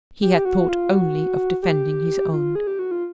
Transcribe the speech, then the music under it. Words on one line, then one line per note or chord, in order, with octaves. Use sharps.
He had thought only of defending his own.
G4
F#4
F4
F#4
G4
F4
G#4
G4
F#4
F4